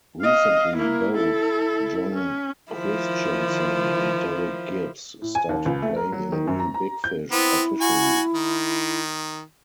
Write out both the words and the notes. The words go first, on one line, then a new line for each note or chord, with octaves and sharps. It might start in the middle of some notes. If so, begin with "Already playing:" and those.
Recently both John Christianson and Derek Gibbs started playing in Reel Big Fish officially.
D#5 F5
A#3 E4
E4 A4
C#4
D#3 F3 E4
A2
G#5
D#2
C#2
A3
A#4
F#3
D#3
F#2
A#5
A#5
G6
B3 C4 E4
F#4 G#5
D#3